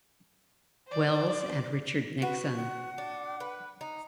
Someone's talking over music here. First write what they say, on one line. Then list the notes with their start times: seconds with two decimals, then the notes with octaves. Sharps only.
Wells and Richard Nixon.
0.88 C5 D5
2.22 F#4 B4
2.56 F#5
2.98 D4
3.40 B4
3.81 D#4